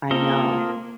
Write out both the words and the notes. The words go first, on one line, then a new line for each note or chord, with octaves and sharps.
I know.
A#3 C4 F4 A4 A#4 D#5